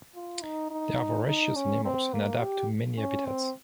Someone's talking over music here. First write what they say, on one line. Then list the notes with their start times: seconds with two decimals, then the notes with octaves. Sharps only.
They are voracious animals and adapt to many habitats.
0.15 F4
0.42 D#4
0.71 D#4
1.28 D#4
1.56 C#4
1.85 C4
2.13 A#3
2.41 G4
2.98 C#4
3.26 C4